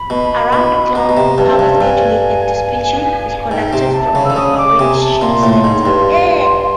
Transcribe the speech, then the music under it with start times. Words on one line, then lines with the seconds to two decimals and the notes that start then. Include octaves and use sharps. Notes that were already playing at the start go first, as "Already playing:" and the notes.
Around-the-clock power scheduling and dispatching is conducted from the Operations Center.
Already playing: B5
0.10 B2
0.53 B2
0.95 B2 A#5
1.09 B2
1.17 C3
1.38 G2 A5
1.59 G2
1.81 G2 G#5
3.44 G#5
3.51 G#2 G5
3.73 C3
3.93 A5
4.15 C#3
4.25 E6
4.30 D3
4.36 C#3 D#6
4.58 D6
4.79 C3 G#5
5.00 A5
5.22 A#2 C6
5.43 A2
5.64 G#2 C6
5.86 G2
6.07 C6